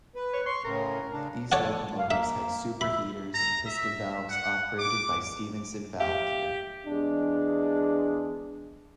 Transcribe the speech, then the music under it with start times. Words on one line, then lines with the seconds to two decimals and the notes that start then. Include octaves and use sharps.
These locomotives had superheaters and piston valves operated by Stephenson valve gear.
0.15 B4
0.34 C#5
0.46 C6 C#6
0.64 A2 C#3 A#4
1.12 C#3 D4
1.52 A4 C#5 D5 F#5
1.98 F5
2.11 A#3 E5
2.81 E5 B5
3.34 A#5
3.66 E5
4.30 F#5
4.78 D6
6.00 G4 E5 F5
6.87 E2 G#3 D4